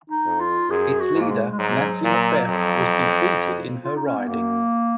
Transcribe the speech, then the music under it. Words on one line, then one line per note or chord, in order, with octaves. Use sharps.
Its leader, Nancy MacBeth, was defeated in her riding.
D#4
F2
F4
F#2 G#4
F#4
G#2
A#3
G#3
G#3
G#2 F#3
A#2
F2
F4
D#4
C#4
B3
F#2 A#3